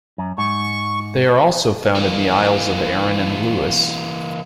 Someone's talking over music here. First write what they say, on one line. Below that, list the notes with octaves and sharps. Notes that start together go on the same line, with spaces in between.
They are also found in the Isles of Arran and Lewis.
F#2
G#2 C#6
E3 A#3